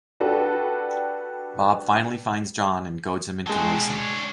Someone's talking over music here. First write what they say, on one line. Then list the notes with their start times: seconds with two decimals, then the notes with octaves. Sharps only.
Bob finally finds John and goads him into racing.
0.20 D4 F#4 G4 A4 B4
3.47 F#3 G#3 C4 A5
3.75 B2
3.90 D4 C#5